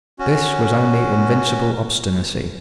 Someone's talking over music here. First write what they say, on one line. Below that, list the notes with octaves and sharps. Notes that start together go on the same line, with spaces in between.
This was only invincible obstinacy.
C#4 F#4